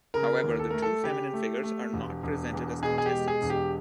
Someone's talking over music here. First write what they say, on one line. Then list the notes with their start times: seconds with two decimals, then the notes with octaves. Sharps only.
However, the two feminine figures are not presented as contestants.
0.14 C#3 A#4
0.44 D#2
0.59 A4
0.70 A3 A#4
0.82 A4
1.03 C#3 G4
1.34 A3
1.63 A3
1.93 E1
2.23 E1
2.53 E2
2.83 B2 G#4
2.98 G#4
3.06 G4
3.13 G#3
3.28 G#4
3.42 E1
3.50 G4